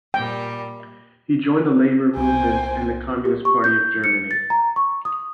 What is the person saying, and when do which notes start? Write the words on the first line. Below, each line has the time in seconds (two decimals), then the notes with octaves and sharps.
He joined the labor movement and the Communist Party of Germany.
0.14 A#2 G3 G5
2.16 C2 C5 G5 G#5
3.25 G4
3.45 C#6
3.64 G6
4.04 C#7
4.31 A6
4.50 A#5
4.76 C#6
5.05 D#6